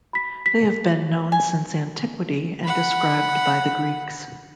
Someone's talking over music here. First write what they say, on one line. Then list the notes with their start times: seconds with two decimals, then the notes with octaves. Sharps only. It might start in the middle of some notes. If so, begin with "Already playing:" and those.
They have been known since antiquity, and described by the Greeks.
0.13 B5 B6
0.46 B6
1.32 G#5
2.64 F#5 B5